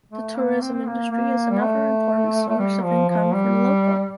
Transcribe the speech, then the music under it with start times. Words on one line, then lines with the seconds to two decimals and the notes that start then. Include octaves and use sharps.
The tourism industry is another important source of income for the local.
0.12 A3
0.37 A#3
0.61 C4
0.74 C4
0.87 A#3
1.11 A#3
1.50 G3
1.61 A3
2.49 A3
2.59 G3
2.84 F3
3.09 F3
3.34 G3